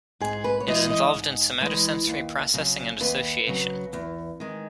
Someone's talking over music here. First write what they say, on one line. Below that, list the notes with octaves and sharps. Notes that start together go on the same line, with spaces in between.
It is involved in somatosensory processing and association.
G#2 G#4
B4
C#5
E3 G#3 D#5
D#5
G#2
E3 G#3
D#2
C#3 F#3
D#2 B4
C#3 F#3
E2
D#3 G#3